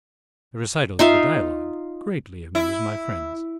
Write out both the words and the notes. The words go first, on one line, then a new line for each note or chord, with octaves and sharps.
The recital of the dialogue greatly amused my friends.
D#4 F4 E5 F5
E4